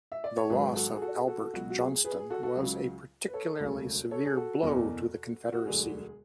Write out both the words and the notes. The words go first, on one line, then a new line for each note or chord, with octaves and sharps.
The loss of Albert Johnston was a particularly severe blow to the Confederacy.
E5
D5
C#5
G#1 G#2 F#3 G#4 B4
F#4 A4
G#4
F#4 A4
G#4
F#4 A4
F#4 A4
C#2 B2 F#3 F#4
F#4
G#4
G#4 B4
G#4
F#4 A4
F#4 A4
C#2 C#3 F#3
B4
A4 C#5
E1 D2 C#3 F#3
A4 C#5
G#4
F#4 A4
F#1 E2 B2
F#4
E1 D2 D3 F#3 G#4